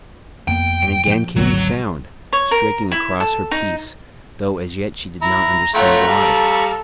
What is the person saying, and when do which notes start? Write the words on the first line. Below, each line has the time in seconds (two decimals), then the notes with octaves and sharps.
And again came the sound, striking across her peace, though as yet she did not understand why.
0.48 F2 A#3 B3 G5
1.06 A#2 F3 A#3
1.36 G#1 D2 F#3 C4
2.33 C#5
2.51 A#4
2.92 E4
3.20 A4
3.51 D#4
5.22 E4 A#5
5.75 A3 F4 C#5 F#5 G5 A#5 B5 C#6
6.07 G3 A4 F5